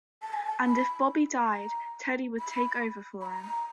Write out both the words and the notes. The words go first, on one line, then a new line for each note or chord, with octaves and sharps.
And if Bobby died, Teddy would take over for him.
A5
G#5
A5
B5
A#5
B5
B5
A#5